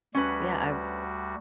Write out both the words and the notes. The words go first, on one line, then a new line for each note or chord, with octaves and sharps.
yeah, I've
D2 G3 C#4 F#4 B4